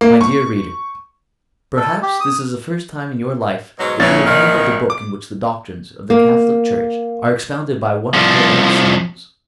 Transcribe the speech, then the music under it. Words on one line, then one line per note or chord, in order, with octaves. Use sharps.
MY DEAR READER:--Perhaps this is the first time in your life that you have handled a book in which the doctrines of the Catholic Church are expounded by one of her own sons.
A#3
C#6
A4
G4
D#6
G#2 B2 F#3
A#1 E3 C#4 C#5 A6
D2 D3 D#3
D6
A#3
C2 F3